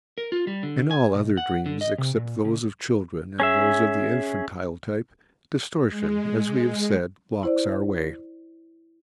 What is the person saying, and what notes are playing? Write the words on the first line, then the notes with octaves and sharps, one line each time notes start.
In all other dreams except those of children and those of the infantile type, distortion, as we have said, blocks our way.
A#4
F4
G3
D3
G#5
B1
F#5
D3
D#5
C3
A#2
C#2
C#4 G#4 E5
G#3
E4 C5 D5